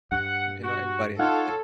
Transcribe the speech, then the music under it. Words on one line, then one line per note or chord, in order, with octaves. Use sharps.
If You know, everybody has to
G2 F#5
F#4
D#4 F4 A4 C#5 F5 F#5